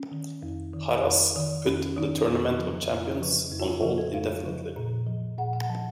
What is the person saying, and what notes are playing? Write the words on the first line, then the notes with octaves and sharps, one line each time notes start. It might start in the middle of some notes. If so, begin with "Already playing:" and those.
Harrah's put the Tournament of Champions on hold indefinitely.
Already playing: C#4
D#3
F2
D#3
F2
D#3
F2 C#4
D#3 D#4
F2
C#3 F3
F2
C#3 F3
F2
F#4
F4
C#3 F3 F#4
A4
F2 F5
C#3 F3
A#2
F3
A#2 F#5
F#5
F3 A5